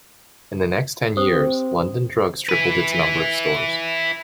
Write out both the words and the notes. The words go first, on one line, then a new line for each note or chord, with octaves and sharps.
In the next ten years, London Drugs tripled its number of stores.
C4 G4 C5 D#6
E4 B4